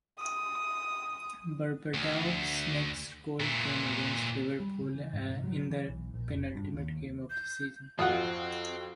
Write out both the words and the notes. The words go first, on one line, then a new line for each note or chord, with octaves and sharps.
Berbatov's next goal came against Liverpool in the penultimate game of the season.
D#6
D2
A#2 E3
G3
C#3
E3
G#2
C3
F#3
E3
B1
A#1
F1
G2
D#2
G6
F2 C4 F4 F#4 F#5 D#6